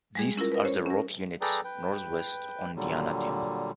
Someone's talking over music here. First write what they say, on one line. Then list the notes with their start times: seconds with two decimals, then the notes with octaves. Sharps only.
These are the rock units northwest on Diana Temple.
0.15 G3 G#3 G#4
0.37 C#4 E4 F4 A#4
0.52 A#4 B4
0.65 C#4 C5 C#5
0.86 C#4 A#4
1.41 G#4 A4 B4 D5 G5 A#5
1.64 B4 G5
2.76 A#2 D3 F#3 G3